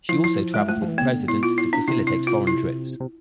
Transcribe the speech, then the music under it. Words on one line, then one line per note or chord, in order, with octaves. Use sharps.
She also traveled with the president to facilitate foreign trips.
F3 E4
E4
G#3
F3 A3
F3
E3
B3
C3
D3
B2 E4
F4
E4
D4
C3 E4
E4
F4
E4
C3